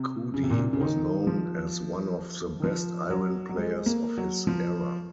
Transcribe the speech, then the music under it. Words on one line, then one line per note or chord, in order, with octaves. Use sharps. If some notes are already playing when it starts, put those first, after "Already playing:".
Coody was known as one of the best iron players of his era.
Already playing: C3
C#3
C3
A#2
C3
C#3
D#3
F3
D#3
F3
F#3
F#3
G#3
A#3
F#3
F3